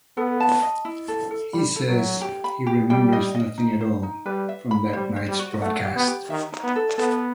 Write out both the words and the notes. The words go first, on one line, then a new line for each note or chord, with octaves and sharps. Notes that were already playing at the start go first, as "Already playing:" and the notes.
He says he "remembers nothing at all" from that night's broadcast.
B3 A4
A5
D#5
E4
A4
A4
G3 B5
A4
F#3
E5
G4
B5
G4
G3 G5
D#5
D#5
D#4
C5
D#4
G3 B4
E5
B5
G3 C5
C5
G3
F#4
A3 F#5
G4
B3
G4
D#3 E5
D#4
B3
A4
B3 A4